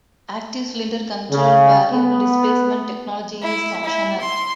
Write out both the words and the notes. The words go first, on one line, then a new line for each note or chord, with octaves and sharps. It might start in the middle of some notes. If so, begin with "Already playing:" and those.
Active Cylinder Control variable displacement technology is optional.
C#3
B3
E4
E4
C6